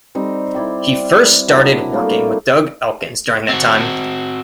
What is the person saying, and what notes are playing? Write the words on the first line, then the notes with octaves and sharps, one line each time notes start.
He first started working with Doug Elkins during that time.
G3 C4 D#4
E4 D5 G5
F#3 D4 E4 A#4
G3 A3 A#3
C4 F#4